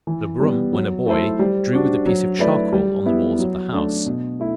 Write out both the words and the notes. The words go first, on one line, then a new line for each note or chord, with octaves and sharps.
Le Brum, when a boy, drew with a piece of charcoal on the walls of the house.
E3
G3 B3
F#3
A3 E4 A4 C5
G3
D4 F#4
F#3
A3 E4 B4 D5
G3
B3 E4
F#3
A3 D4
B2
A3 E4